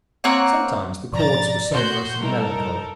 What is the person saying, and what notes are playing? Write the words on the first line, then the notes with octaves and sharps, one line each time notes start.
Sometimes the chords were sonorous and melancholy.
A#3 C4 C#5 F#5
G#2 B2 F3 D5 A#5 A6
A#2 F#4 C6 G6
C3 G3 D#4 E4 A4 A#4